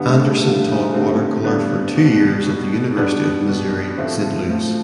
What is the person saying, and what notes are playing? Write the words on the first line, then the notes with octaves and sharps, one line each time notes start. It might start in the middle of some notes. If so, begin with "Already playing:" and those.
Anderson taught watercolor for two years at the University of Missouri Saint Louis.
Already playing: G2 D3 G3 B3
A3
G3
G2 D3 G3
A3
G2 D3 G3 A3 C4
G2 D3 G3 B3 D4
B2 G3
B2 G3
B2 G3 B3 D4
B2 G3
A2 F3 A3 C4
A2 F3